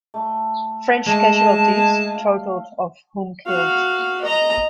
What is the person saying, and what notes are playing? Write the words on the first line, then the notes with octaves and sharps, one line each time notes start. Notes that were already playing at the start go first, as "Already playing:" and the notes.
French casualties totalled of whom killed.
A3
G#3 A3 A5
F5
F#4 F5
D#5 A#5